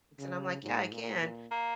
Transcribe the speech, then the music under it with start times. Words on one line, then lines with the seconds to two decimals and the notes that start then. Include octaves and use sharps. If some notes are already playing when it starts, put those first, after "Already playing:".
And I'm like, “Yeah, I can.
0.18 C#3
0.63 G#2
0.92 A#2
1.22 A#2
1.51 A#3